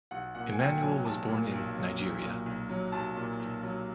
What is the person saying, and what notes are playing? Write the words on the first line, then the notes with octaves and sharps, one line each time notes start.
Emmanuel was born in Nigeria.
B1 F#5
A#2 F#5
G#5
B1 G5
G5
F#3 G#5
B1 A5
A#2
B1
F#3
B1
A#2
B1
F#3
B1 A5
A#2
B1
F#3